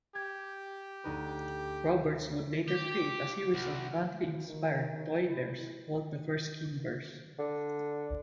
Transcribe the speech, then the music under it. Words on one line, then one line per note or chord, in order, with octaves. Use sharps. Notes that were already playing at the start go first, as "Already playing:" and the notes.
Roberts would later create a series of country-inspired toy bears called the Furskin Bears.
G4 G#6
D2 D#4 B4
G4 D6
C2 F#5
E3
D#3
E4
D3